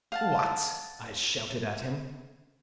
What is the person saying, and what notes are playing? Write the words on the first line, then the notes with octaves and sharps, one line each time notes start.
"What!" I shouted at him.
F5 F#5 A5